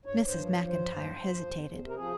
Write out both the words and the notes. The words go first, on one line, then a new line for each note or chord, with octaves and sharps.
Mrs. MacIntyre hesitated.
G2 C#5
G2
C5
F3
C#5
F3
G2 C5
G2
F3
F3
F3
E2
E2
C3
A#4
F3 G#4